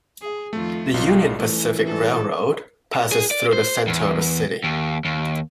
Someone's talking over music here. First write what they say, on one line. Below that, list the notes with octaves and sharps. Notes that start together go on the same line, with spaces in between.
The Union Pacific Railroad passes through the center of the city.
G#4
F2 D#3 A3 F4
B1 G3 F4
A1 E3 A3
G3 A4
G#4
D5
C5
E2
D#2
D#2